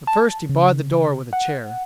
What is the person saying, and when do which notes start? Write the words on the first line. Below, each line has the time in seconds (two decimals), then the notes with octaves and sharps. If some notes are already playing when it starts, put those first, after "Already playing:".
But first he barred the door with a chair.
0.07 A5
0.49 C#3
1.33 F#5